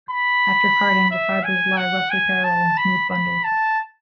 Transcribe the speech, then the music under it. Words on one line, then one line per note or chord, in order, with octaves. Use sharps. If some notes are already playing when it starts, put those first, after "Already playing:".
After carding, the fibres lie roughly parallel in smooth bundles.
B5
E5
G#5
F#5
G#5
A5
B5
B5
A5